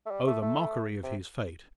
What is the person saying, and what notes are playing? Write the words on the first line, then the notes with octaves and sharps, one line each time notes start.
Oh, the mockery of his fate!
A3
G3
A3
A3
C3